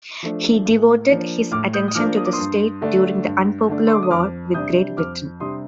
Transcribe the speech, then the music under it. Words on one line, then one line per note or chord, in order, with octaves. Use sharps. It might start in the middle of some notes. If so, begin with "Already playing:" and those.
He devoted his attention to the state during the unpopular war with Great Britain.
F3 A3 D4
A2
F3 A#3 D4
A2 D6 F6
D#6 G6
D#6
F3 A#3 D4 D6 F6
D#6
D6
C6 D#6
G2
D3 A3 D4
G2
D3 A3 D4
C6
D6
D#6
F2 D6 F6
C3 G3 D4 D#6 G6
F2 D6 F6
C3 G3 D4 C6 D#6